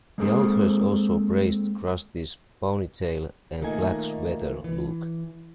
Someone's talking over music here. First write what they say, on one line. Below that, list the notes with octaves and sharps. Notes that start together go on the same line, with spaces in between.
The authors also praised Krusty's "ponytail and black sweater" look.
G#3 A#3 C4 G#4 A4 C5
A#2 D#3 A3 A#3 D#4 G#5
E3